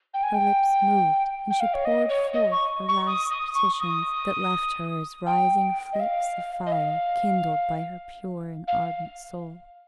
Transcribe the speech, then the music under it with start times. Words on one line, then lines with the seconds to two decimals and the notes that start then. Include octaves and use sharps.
Her lips moved, and she poured forth her last petitions, that left her as rising flakes of fire, kindled by her pure and ardent soul.
0.14 G5
0.23 G#5
0.34 G5
1.50 G5
1.60 F5
1.74 C#5
1.85 D#5
2.09 C#5
2.33 D#5
2.51 C#6
2.88 C#6
3.07 D#6
3.30 D#6
3.55 C#6
3.80 D#6
5.26 G5
5.92 D#5
6.00 F5
6.66 D#5
6.72 F5
8.67 F5